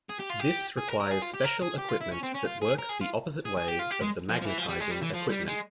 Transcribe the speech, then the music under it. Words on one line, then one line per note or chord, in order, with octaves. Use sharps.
This requires special equipment that works the opposite way of the magnetizing equipment.
G#4
G4
F4
G4
G#4
A#4
A#4
G#4
F4
G4
A#4
G#4
G4
F4
E4
C#4
C4
C#4
F4
G#4
A#4
G#4
F4
G#4
G#4
G4
F4
G4
G#3
F3
F3
E3
F3
G3
G#3
G3
E3
F3
G3
G#3